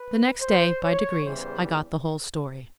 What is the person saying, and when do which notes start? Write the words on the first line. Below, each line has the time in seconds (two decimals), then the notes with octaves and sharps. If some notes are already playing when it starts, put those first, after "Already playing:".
The next day, by degrees, I got the whole story.
Already playing: B4
0.41 C5
0.83 C#5
1.24 E2 C#3 E3 G3 C5